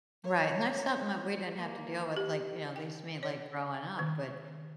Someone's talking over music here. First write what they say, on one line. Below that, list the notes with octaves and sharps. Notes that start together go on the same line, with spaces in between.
Right, and that's something that we didn't have to deal with, like, you know, at least me, like growing up, but
C#5
A#3
G4
G5
C#5
D#3